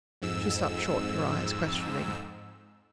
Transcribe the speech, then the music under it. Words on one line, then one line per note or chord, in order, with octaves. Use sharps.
She stopped short, her eyes questioning.
F2 G#2 E6